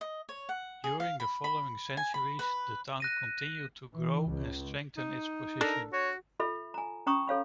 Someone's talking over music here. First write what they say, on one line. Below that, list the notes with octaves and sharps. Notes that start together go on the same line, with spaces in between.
During the following centuries the town continued to grow and strengthened its position.
D#5
C#5
F#5
G#4
F5
B5
B5
G#5
B5
B4
F#6 A#6 D#7
E3
C#2
D#4
D4 A4 A#4
F#4 C#5
F4 A4 E5 B5
G#5 A#5
C#4 G5 A#5 B5 C#6 D#6
A4 C#5 F5 B5